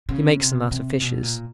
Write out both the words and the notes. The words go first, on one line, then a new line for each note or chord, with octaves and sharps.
He makes them out of fishes.
C#3
C3
C3
B2
A#2